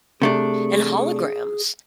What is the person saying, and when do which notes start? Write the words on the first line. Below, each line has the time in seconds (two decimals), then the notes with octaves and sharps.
And holograms.
0.22 C3 A3 D4 G#4